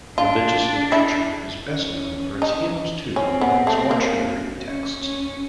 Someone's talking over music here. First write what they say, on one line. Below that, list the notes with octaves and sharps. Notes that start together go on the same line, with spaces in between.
Religious literature is best known for its hymns to and its mortuary texts.
D4 F4
E4
C#4
D#4
C4 C#4
B3
A3
A#3
C#4
C#4